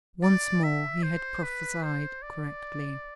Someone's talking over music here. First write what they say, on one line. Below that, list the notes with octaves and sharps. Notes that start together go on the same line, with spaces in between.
Once more he had prophesied correctly.
D5
E5
C5
B4
C5
D5